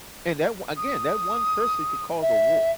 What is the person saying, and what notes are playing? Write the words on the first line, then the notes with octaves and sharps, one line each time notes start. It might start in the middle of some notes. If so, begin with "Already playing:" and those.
and that o Again, that one person could cause a war.
D#6
E5